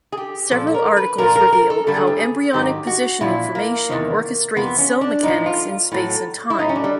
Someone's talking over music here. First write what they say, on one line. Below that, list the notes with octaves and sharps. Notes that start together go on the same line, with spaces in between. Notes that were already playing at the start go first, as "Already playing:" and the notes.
Several articles reveal how embryonic position information orchestrates cell mechanics in space and time.
G#4
G4
A#2 F3 A4
A4
A#4
B4
A#2 F3 A#4
A#4
A#4
A4
G2 D3 G3 A4
G#4
G4
G#4
G#2 D#3 F#3 G4
F#4
A#2 F3 E4
A#3
E2 C3 D#3
F2 C3 E3 B3
C#4
D4
A2 F3 D#4
F4
A2 F#3
E4
A2 F#3 D#4
C#4
D4
G3